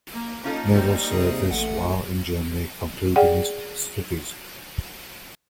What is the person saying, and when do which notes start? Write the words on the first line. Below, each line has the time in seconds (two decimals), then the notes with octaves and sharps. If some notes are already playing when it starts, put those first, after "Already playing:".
Naval service while in Germany concluding his studies.
0.14 A#3
0.44 A#3 C#4 D#4 F4 A4
0.76 G3 C5
1.11 C3 G#4
1.51 A1 A3 F#5
3.16 G#4 D5 F#5 G5